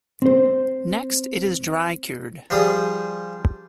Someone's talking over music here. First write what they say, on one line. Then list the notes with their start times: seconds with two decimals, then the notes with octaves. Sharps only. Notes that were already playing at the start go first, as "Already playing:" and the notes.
Next it is dry-cured.
0.22 C4 C5
2.50 F3 G3 G#4 D#6